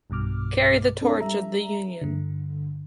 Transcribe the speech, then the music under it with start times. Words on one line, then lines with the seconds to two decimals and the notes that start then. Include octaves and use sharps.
Carry the torch of the Union!
0.10 B1 G2 B2 D6 F6
1.01 C4 D4 A4
1.20 G3 E5 A#5
2.02 G2 D3